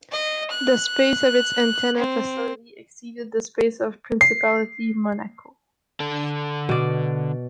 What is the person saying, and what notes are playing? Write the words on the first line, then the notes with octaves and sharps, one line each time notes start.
The space of its antenna facility exceeded the space of principality Monaco.
D#5
F#6
C4
C7
D3 A4
B2 D5